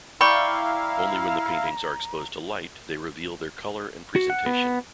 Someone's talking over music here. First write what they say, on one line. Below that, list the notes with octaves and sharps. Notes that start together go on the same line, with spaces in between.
Only when the paintings are exposed to light they reveal their colour and presentation.
E4 D5 F5 G5 A#5 B5 C#6
F#4
F#5
B3